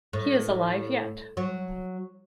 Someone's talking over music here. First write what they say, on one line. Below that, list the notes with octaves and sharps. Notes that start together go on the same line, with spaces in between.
He is alive yet.
A2
F#3